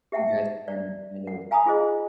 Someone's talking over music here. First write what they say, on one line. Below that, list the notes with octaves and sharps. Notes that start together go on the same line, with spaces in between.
you guys can kind of,
G4 E5 F#5 G5 A5
D5
F#5
F5 G#5 A#5 B5 D#6
D#4 F4 G#4 C5 D#5